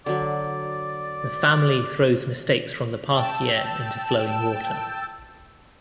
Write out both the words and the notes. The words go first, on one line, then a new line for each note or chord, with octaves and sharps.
The family throws mistakes from the past year into flowing water.
D3 F#3 D5
G5 A5 E6